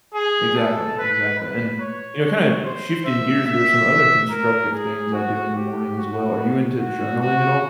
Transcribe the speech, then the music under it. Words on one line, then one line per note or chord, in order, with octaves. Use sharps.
Exactly, exactly, and, you know, kinda shifting gears, there are some other constructive things I do in the morning as well. Are you into journaling at all?
G#4
A4
B4
B4
C#5
C5
E5
E5
A#4
G#4
F#4
G4
F#4
F#4
F#4